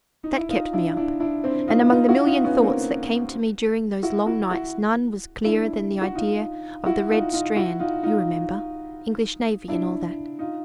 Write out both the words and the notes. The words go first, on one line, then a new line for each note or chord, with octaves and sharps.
That kept me up; and among the million thoughts that came to me during those long nights none was clearer than the idea of the red strand, you remember--English navy, and all that.
D#4
E4
D#4 F4
D4 E4
D4 E4
D4 E4
C4 D4
D#4 F4
D#4 F4
E4 F#4
D#4 F4
B3 C#4
A#3 C4
E4 F#4
E4 F#4
E4 F#4
D4 E4
F#4
D#4 F4
E4 F#4
D#4 F4
D#4 F4
E4 F#4
D#4 F4
D#4 F4
D4 E4
D#4 F4